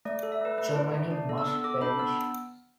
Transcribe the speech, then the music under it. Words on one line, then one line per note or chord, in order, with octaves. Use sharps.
Germany Must Perish!
A3 D5
A4
E5
A3 B4
A3 B4
E4
A3
D4 D5
A4
E6
B3
A4 D6
D4 B5
B3 E6